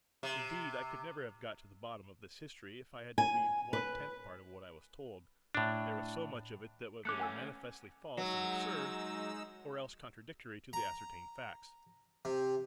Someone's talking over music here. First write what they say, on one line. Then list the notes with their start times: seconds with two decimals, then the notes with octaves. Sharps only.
Indeed I could never have got to the bottom of this history if I had believed one tenth part of what I was told, there was so much of it that was either manifestly false and absurd, or else contradictory to the ascertained facts.
0.23 C3
3.18 G#5
3.73 B4
5.55 A2 D4
7.05 A3 C#4 D6 F#6 C#7
7.20 F#5 G#5 E6
8.17 F#3 G#3 D#4 E6
10.73 A#5
12.25 C3